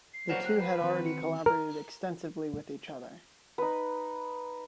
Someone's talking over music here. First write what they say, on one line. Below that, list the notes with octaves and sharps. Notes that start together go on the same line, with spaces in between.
The two had already collaborated extensively with each other.
C7
F3 F#3 A#3 F#4 B4 D5 F#5
G4 F#6
B4
D#3 C4 F#4
C#7
A#4
D#4 B4